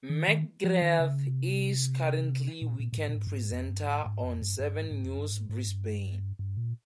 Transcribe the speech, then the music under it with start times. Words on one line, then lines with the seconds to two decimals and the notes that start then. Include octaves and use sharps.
McGrath is currently weekend presenter on "Seven News Brisbane".
0.10 D#3
0.28 D#3
0.64 F3
0.82 D#3
1.00 C#3
1.27 C3
2.62 A#2
2.80 A#2
2.93 A#2
2.98 G#2
3.09 A#2
3.16 G#2
3.27 G2
3.34 G#2
3.52 F2
3.70 G2
3.88 G#2
4.06 G#2
4.24 F2
4.42 G2
4.60 G2
4.78 G#2
4.91 G#2
5.05 F2
5.18 G2
5.32 G#2
5.49 G#2
5.68 G2
6.39 G2
6.57 A#2